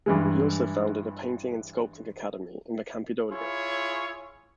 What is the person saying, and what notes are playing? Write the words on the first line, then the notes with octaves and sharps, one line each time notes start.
He also founded a painting and sculpting academy in the Campidoglio.
G2 E3 G#3
E4 F4 G#4 C#5